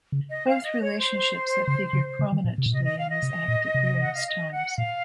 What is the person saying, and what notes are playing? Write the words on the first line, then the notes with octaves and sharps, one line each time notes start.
Both relationships have figured prominently in his act at various times.
C#3
D#5
F5
D#5
C#5
C5
C#3
C#3
C#3
D#3
A#2
C3
A#2
C3 D#5
D#5
F5
D#5
C3
A#2
C3
F#5
F5
D#5
F#5
A#2 F5